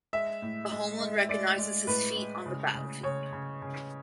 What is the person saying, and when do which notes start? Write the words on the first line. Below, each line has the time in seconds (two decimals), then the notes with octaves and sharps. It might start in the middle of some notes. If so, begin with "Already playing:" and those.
The Homeland recognizes his feat on the battlefield.
0.13 G#3 E5
0.42 A2
0.71 G#3
1.00 G#3
1.29 G#3 D5
1.58 G#3
1.87 A2 B4
2.16 G#3
2.46 C#3
2.75 C#3
3.03 C#3 C#5
3.33 C#3
3.62 C#3